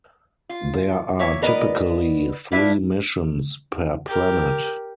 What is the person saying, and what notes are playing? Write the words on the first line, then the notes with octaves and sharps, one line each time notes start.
There are typically three missions per planet.
F4
A#2 C#5 E5
B3 A#4 B4 D5 D#5
D4 E4 F4 B4 D5 E5
G4 A#4